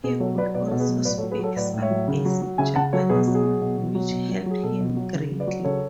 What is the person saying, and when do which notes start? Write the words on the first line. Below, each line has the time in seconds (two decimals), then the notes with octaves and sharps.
He could also speak some basic Japanese, which helped him greatly.
0.04 B2 G#4 B4
0.20 F#3 A4 C#5
0.37 F#3 B4 D5
0.54 B2 B4 D5
0.67 A4 C#5
0.71 B2
0.80 G#4 B4
0.89 F#3
1.05 A2 B4 D5
1.18 A4 C#5
1.23 F#3
1.31 G#4 B4
1.39 F#3 A4 C#5
1.56 A2 B4 D5
1.73 A2
1.82 C#5 E5
1.90 F#3
2.08 C#3
2.25 F#3
2.42 F#3
2.58 C#3 E5 G#5
2.75 C#3 F#5 A5
2.93 F#3 A4 C#5
3.09 B2 G#4 B4
3.27 F#3
3.35 G#4
3.44 F#3
3.61 B2
3.78 B2
3.95 F#3
4.11 B2
4.29 F#3
4.46 F#3 G#4
4.63 B2 A4
4.80 B2
4.96 F#3
5.14 C#3
5.31 F#3
5.40 B4 D5
5.47 F#3
5.64 C#3 A4 C#5